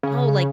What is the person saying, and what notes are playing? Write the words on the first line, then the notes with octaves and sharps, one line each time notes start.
oh, like
C#3